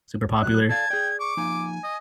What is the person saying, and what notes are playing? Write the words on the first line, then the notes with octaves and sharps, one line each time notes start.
Super popular.
A#2 F#3 F#6
A4 D5 F5 A5 G#6
G#4 D5 G5
C#6 D6
F3 A#3 D#4 G#5
D#5